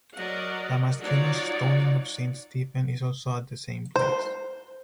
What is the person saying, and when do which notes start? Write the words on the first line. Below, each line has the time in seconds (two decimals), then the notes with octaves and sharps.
Damaskinos’s "Stoning of Saint Stephen" is also at the same place.
0.16 F#3 A#4 D5 D#5 F#5
1.02 F#3 D#4 F4 C#5 D5 F#5
3.96 C5